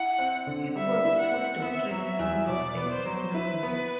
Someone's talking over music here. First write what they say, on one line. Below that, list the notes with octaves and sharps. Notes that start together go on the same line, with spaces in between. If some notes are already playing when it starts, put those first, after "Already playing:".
He holds two doctorates in law and economics.
Already playing: E4 F#5
C4
D3
G3 E5
E4
F#5
C4
B3 E5
F#3
E5
E2
B2 D5
B3
C5
F#3
E4 B4
B3